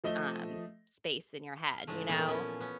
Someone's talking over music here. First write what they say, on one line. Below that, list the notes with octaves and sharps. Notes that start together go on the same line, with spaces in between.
um, space in your head, you know,
F3 A3 D#5 E5 G7
F5
G#2 C#3 G#3 A3
E2 A#2 B3 C#4 G5 C6
F3 C#4 G#5
B3 C#4